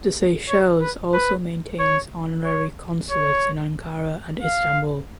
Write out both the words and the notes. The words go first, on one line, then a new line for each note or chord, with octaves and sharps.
The Seychelles also maintains honorary consulates in Ankara and Istanbul.
C#5
B4
B4
C#5
C#5
C#5
F5